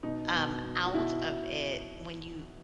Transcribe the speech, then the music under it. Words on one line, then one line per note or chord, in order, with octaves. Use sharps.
um, out of it, when you
B2 D#4
B2
B2
F#4
B2 E4